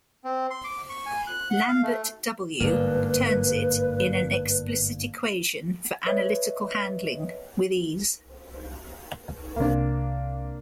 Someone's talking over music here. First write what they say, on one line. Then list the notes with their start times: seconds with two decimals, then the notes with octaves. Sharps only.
Lambert "W" turns it in an explicit equation for analytical handling with ease.
0.24 C4
0.50 C6
0.64 D6
0.89 C#6
1.06 G#5
1.27 F#6
1.50 F#5
1.68 F5
1.83 A3
2.60 G1 G#2 A#3 D4 B4
6.06 B4 C#5 D#5 E5
9.56 C2 C3 A#3 D4